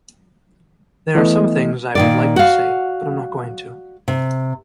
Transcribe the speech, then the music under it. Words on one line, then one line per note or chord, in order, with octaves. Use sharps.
There are some things I would like to say but I'm not going to.
E3 A3 B3 D#5
A#2 D#3 D5
F#4 F5
C3